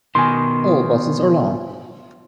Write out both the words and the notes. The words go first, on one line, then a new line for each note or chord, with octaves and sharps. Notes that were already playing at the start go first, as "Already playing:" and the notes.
All buses are long.
B2 D#3 G#5 C6